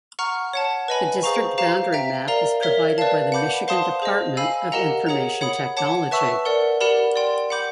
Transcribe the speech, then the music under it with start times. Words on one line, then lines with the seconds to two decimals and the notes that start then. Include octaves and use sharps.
The district boundary map is provided by the Michigan Department of Information Technology.
0.19 F#5 A#5 C#6 F6
0.53 C#5 F#5 A5
0.88 B4 D#5 G#5 B5
1.23 G#4 C5 F5 A#5 C#6
1.58 G4 C5 F5 A#5
1.93 E5 G5 A#5
2.28 A#4 D5 F5 A#5
2.63 A#4 C#5 E5
2.98 B4 D5 F5 A5
3.32 F#5 B5 D6 G6
3.68 C5 F5 A5 C6 D#6
4.02 G#4 C5 D#5
4.37 F5 G#5 B5 E6
4.72 G4 A#4 D#5 F#5 A#5
5.06 G#4 C#5 F#5 A#5
5.41 C#5 F#5 B5 D#6
5.77 C#5 F#5 A5 D6
6.11 B4 E5 A5 C#6 E6
6.45 A#4 D5 F#5
6.81 G4 A#4 D5 F#5 B5
7.16 D5 G5 C6
7.50 F#5 B5 D6 G6